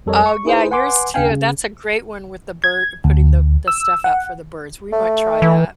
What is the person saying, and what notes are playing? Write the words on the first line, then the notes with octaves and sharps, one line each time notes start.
Oh, yeah, yours, too, that's a great one with the bir putting the the stuff out for the birds. We might try that.
F2 G3 A4 A#4 C#5 D#5
C#6
D#4 E4 G#4 B4 C5
B4 F#5 G#5 C6 D6
D#2 C#3 D4 F5 G5 G#5
C#3
G#6
D2
E6
F#5
A3
E3